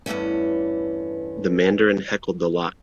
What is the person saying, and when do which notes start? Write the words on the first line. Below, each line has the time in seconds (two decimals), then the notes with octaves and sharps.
The mandarin heckled the lot.
0.06 E2 G2 E3 A3 C#4